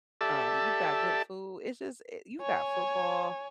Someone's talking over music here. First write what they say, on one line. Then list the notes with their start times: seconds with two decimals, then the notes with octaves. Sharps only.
um, you've got good food, it's just i you've got football,
0.21 G4 A4 D5 E5 A5
2.41 C#5 G#5